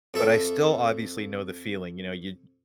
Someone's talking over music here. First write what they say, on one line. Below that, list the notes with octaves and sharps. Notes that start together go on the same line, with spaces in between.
but I still obviously know the feeling, you know, you'd
F2 A4 E5